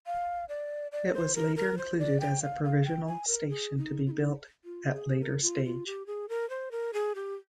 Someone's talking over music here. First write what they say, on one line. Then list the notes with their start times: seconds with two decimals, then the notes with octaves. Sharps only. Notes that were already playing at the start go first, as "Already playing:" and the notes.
It was later included as a provisional station to be built at later stage.
0.06 F5
0.49 D5
0.92 D5
1.14 C5
1.35 A#4
1.56 A#4
1.78 C5
1.99 D5
2.20 G5
2.42 F5
2.64 F5
2.85 G5
3.06 G#5
3.28 A#4
3.50 G#4
3.78 D#4
4.06 F4
4.11 D#4
4.65 F4
4.93 G#4
5.21 A#4
5.42 F4
5.65 F4
5.86 G4
6.07 G#4
6.29 A#4
6.50 C5
6.72 A#4
6.93 G#4
7.15 G4